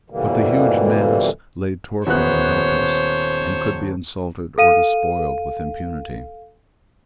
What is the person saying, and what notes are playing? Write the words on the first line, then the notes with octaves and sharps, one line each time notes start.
But the huge mass lay torpid and helpless, and could be insulted or despoiled with impunity.
F2 B2 D3 E3 G3 A#3
D#1 B3 C5 C#5 F#6
A4 F5 D#7